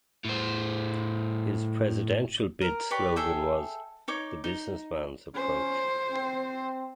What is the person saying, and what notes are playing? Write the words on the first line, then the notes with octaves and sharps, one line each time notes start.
His presidential bid slogan was "The Businessman's Approach".
A2 C5
A#4
G4 B4 C#5 D5
G#4 A4 E5 G5
D#4 C#5 D6
D#4
C#4 C5
C4